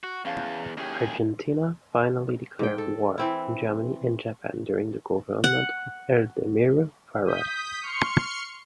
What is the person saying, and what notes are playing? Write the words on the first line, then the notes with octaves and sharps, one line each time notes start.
Argentina finally declared war on Germany and Japan during the government of Edelmiro Farrell.
F#4
E2 C#4 F5 A5
D#2 C#4 E4 G4 G#4
G#2 G5
A4
E3 C4 E4
F#5
D#6 G6 B6
C6 C#6 F6 C#7